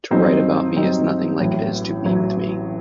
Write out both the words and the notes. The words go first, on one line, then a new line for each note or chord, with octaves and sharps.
To write about me is nothing like it is to be with me.
G2 F#3 C4 D#4
G2 F#3 C4 D#4
A1 A2 F#3
A1 A2 F#3